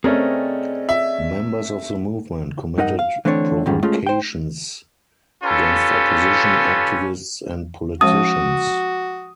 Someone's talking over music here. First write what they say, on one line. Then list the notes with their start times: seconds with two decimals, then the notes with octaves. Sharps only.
Members of the movement committed provocations against opposition activists and politicians.
0.04 A3 C4 C#4 G#4 A#4 D5 D#5
0.89 E5
2.78 G2 D#4 A#4 D#5 F#5
2.99 F5
3.25 D3 E3 A3 C4 D4 C#5
3.66 E2 G#2 D#3 G3 C#4
3.83 G#3 A3 C#4 F4
4.06 C5 G5
5.44 C#4 F4 G4 A4 B4
8.01 F3 G#3 C#4 F#4 D#6